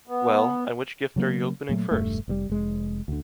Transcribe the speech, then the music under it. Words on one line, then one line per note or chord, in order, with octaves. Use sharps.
Well, and which gift are you opening first?
B3
C#3 F#3 G3 A#3
A#2 F#3 A3
E1 G2 A3
F1 A2 G3
F1 G#3
D2 D3